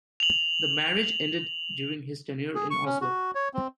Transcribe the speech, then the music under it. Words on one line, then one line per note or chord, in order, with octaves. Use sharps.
The marriage ended during his tenure in Oslo.
F7 F#7
G#4
C#6
C#4
F#4
C#5
C4